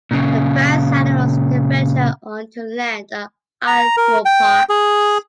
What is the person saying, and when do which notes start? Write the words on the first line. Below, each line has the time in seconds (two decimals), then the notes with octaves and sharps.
The first animals to venture onto land are arthropods.
0.11 A#2 C#3
3.67 A#5
3.97 A#4
4.25 G5
4.69 G#4